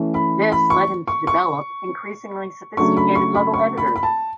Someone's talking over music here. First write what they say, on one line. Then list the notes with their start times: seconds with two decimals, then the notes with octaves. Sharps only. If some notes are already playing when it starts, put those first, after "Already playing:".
This led him to develop increasingly sophisticated level editors.
Already playing: E3 A3 C#4
0.14 B5
0.52 B5
0.70 C#6
1.08 C#6
1.27 C#6
2.77 C#3 F#3 A3 D4 C#6
2.97 B5
3.15 C#6
3.35 B5
3.54 C#6
3.78 B5
3.96 B5
4.03 A5